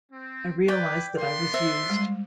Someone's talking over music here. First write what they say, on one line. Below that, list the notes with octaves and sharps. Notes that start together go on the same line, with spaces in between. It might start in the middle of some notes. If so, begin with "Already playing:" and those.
I realised that I was used.
C4
E4 B4 D5 G5
B3 D4 A#4 F5 C6
C5 E5
G3 G#3